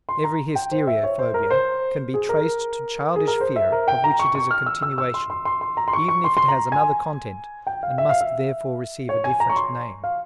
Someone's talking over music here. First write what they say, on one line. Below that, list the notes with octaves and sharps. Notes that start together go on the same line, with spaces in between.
Every hysteria phobia can be traced to childish fear of which it is a continuation, even if it has another content and must therefore receive a different name.
C6
A#5
G5
C5
E5
C#5
C5
A#4
C5
G#4
A#4
G#4
A#4
C5
E5
A#4
G5
A#5
C#6
C#6
F6
E6
E6
E6
C6
C6
C6
C6
A#5
C6
C#6
C#6
C6
C6
A#5
G#5
G5
F5
E5
F5
E5
C#5
G#5
A#5
C#6
C6
F5